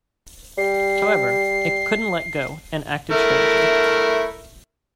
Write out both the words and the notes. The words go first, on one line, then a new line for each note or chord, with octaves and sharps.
However, it couldn't let go, and acted strangely.
G3 C7
A3 E4 A#4